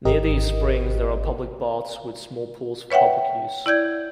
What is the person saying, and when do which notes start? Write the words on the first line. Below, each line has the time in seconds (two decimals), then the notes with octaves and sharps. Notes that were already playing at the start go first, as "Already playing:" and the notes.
Near these springs there are public baths with small pools for public use.
0.05 G#1 G4 A#4 D#5
2.91 B4 C#5 E5 F#5 G5
3.66 E4 D5 G6 G#6